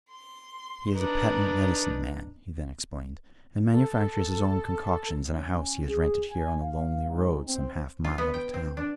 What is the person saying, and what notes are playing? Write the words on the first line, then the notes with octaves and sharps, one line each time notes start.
"He is a patent-medicine man," he then explained, "and manufactures his own concoctions in a house he has rented here on a lonely road some half-mile out of town."
C6
D4 D#4 A#4 B4
A4
C#4
G#4
G#5
F5
G#2
C4
F4
B3
G5
C4
D4